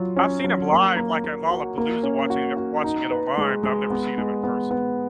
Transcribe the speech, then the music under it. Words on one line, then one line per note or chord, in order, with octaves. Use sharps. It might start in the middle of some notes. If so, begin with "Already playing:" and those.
I've seen 'em live, like, at Lollapalooza, watching it watching it online, but I've never seen 'em in person.
Already playing: F#3 F4
C#4
F#3
A#3
A#3
A#3
F#4
A#3
C#4
F#4
F#4
D#4
B4
G#3
G#3
B3
G#3
B3
B3